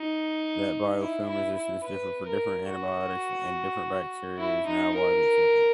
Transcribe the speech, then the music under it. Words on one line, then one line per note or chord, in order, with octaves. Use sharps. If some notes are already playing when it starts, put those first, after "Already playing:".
That biofilm resistance differ for different antibiotics and different bacteria is now widely accepted.
Already playing: D#4
E4
E4
E4
B4
A#4
F#4
E4
D#4
A#4